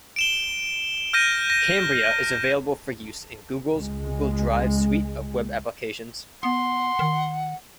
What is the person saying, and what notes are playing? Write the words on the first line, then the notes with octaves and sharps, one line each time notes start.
Cambria is available for use in Google's Google Drive suite of web applications.
D7 E7 G7
F6 G6 A#6 D#7
A#6
C#2 G#3
B3 F#5 C6
D#3